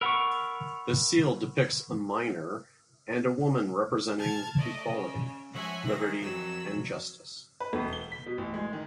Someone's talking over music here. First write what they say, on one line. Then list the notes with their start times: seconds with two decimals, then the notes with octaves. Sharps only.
The seal depicts a miner and a woman representing equality, liberty and justice.
0.01 A#4 F#5 B5 C#6 E6
4.18 A5 F6 G#6
4.58 A3 D5 D#5
4.90 C#3
5.51 F3 G#3 C#5 E5 F#5 G#5
5.84 D#3 G#4 A#6
6.21 F2 F#3 E6
7.60 B4
7.73 E1
7.93 G7
8.12 B6
8.26 B2
8.38 A1
8.54 G#3
8.73 D#3